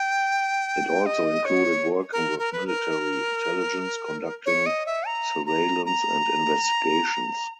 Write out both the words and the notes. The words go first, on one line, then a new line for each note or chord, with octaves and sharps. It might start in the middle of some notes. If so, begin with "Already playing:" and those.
It also included working with military intelligence conducting surveillance and investigations.
Already playing: G5
D#5
C#5
A#4
A#4
B4
A#4
C#5
D#5
E5
A#5
A#5
A#5